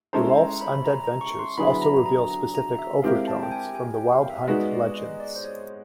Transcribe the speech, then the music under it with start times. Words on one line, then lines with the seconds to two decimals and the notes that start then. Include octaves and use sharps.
Thorolf's undead ventures also reveal specific overtones from the Wild Hunt legends.
0.13 G#3 C#4 E4 A4 C5 A#5
0.37 A#5
0.61 B5
0.85 A#5
1.04 A#5
1.21 C#6
1.39 C6
1.57 D3 F#3 B3 E4 G#4 B5
1.71 B5
1.82 A#5
2.06 A#5
2.30 A#5
2.55 A#5
2.79 E5
3.02 G#3 C4 E4 G4 A#4 F5
3.28 A5
3.43 G5
3.51 G#5
3.75 G#5
3.94 G5
4.12 F5
4.30 E5
4.44 D5
4.47 G#3 B3 D#4 F#4 D#5
4.72 D5
4.97 D#5
5.20 D5
5.36 C5
5.44 C#5